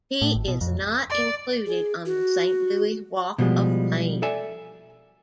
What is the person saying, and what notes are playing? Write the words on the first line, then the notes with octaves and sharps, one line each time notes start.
He is not included on the Saint Louis Walk of Fame.
A2
G#1
B2
F2
D5
G#4
F#4
B2 F3 G3 G#3
A4 D5 E5 G#5